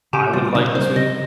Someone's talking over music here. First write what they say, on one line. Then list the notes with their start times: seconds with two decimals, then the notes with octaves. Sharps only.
I would like to,
0.13 C#3 G4
0.33 G3 A#3 C#4 F4
0.55 C#3 D#4
0.75 A#3 C#4 C5
0.79 G3
0.96 C#3 D#5